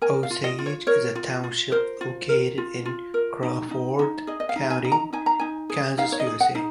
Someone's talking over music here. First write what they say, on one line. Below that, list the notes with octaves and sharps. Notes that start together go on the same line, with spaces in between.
Osage is a township located in Crawford County, Kansas, USA.
A#4 G#5
F5
F4
D#5
F4
C#5
A#4 C#5
F4
F4
A#4 C5
F4
A#4
F4
F4
A#4
D#4
D#4
D#4
G#4 D#5
D#5
F5
D#4
G#5
D#4
A#5
D#4 G#5
A#5
D#4 G#5
G#4
D#4 F5
C#5
D#5
G#4
F#5
D#4